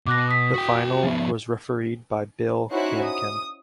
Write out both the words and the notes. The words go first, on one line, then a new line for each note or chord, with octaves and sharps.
The final was refereed by Bill Camkin.
B2 D6 F#6 A#6
D#6 B6
F#4 G5
F3 B3 E5
C#4 D#4 E4 F#4 C5 F#6
D#6